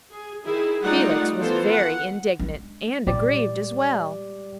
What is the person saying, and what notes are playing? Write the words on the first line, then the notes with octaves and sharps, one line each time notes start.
Felix was very indignant--and aggrieved as well.
G#4
D#3 E4 G#4
G3 A3 D#4 F4 D5 F#5
D#3 E3 B3 F4 A4 C5
F#5
G#3 D4
A#2 G3 G#3 G4 D5